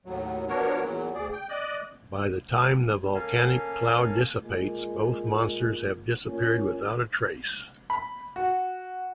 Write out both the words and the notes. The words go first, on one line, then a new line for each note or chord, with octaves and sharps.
By the time the volcanic cloud dissipates, both monsters have disappeared without a trace.
D#2 A2 F#3
F3 B3 D4 F#4 A#4 C#5
E2 A#2 F#3
D2 G#4 D5
G5
D5 D#5 F#6
A#3 C#4 A4 F5 G#5
A#2 G#3
A#2 C#4
B5
F#4